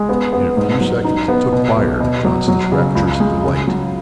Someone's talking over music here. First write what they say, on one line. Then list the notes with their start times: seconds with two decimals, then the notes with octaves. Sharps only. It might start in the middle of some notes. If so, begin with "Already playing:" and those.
In a few seconds it took fire, to Johnson's rapturous delight.
Already playing: G#3
0.09 B3
0.33 B3
0.57 G#2
0.81 F#3
1.04 D#4
1.28 B3
1.53 B2
1.76 B1
2.00 B2
2.25 F#3
2.48 F#3
2.72 C#3
2.96 C#2
3.20 G#3
3.44 C#3
3.67 F#3